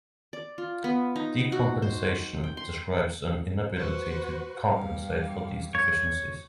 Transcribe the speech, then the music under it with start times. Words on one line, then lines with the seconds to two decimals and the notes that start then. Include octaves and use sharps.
Decompensation describes an inability to compensate for these deficiencies.
0.33 D5
0.58 F4
0.84 B3
1.16 D#4
1.52 F#4
1.82 C5
2.44 G5
2.57 C6
3.76 F#4 B4 C5
4.67 G2 F5
5.75 C#5